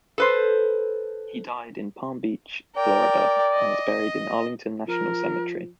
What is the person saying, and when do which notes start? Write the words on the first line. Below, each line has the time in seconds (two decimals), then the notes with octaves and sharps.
He died in Palm Beach, Florida, and is buried in Arlington National Cemetery.
0.18 A4 B4 C5
2.77 A#4 D5 G5
3.54 D#5
4.88 F3 A#4